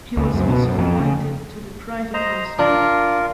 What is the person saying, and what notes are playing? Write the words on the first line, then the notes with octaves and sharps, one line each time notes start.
He was also appointed to the Privy Council.
C#2
F#2
B2
F#2
F2
C#3
C5 D#5 A#5
D4 F4 A#4